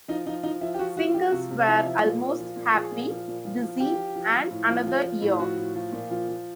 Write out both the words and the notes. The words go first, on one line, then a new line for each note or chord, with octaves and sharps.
Singles were "Almost Happy", "Busy" and "Another Year".
F3 D#4
F3 D#4
F3 D#4
F3 E4
G4
F3 F#4
F3 F#4
F3 G4
C3 F#4
C3
F3 E4
F3
A#2
A#2
F3
A#2
F3 G#4
A#2
F3
A#2
F3
F3
F3 G4
F3
F3
F3
A2
F3
F3
F3
A2
F3 F#4
A2
F3
A#2
F3
F3